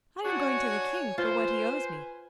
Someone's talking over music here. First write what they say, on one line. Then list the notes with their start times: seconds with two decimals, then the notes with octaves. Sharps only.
'I am going to the King for what he owes me.'
0.25 D4 F#4 C#5 G#5
1.18 F4 B4 C5 G#5